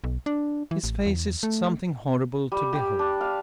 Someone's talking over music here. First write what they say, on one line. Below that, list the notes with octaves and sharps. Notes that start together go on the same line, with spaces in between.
His face is something horrible to behold.
B1
D4
E3
A1
E2
A3
G3
G4
D4
F5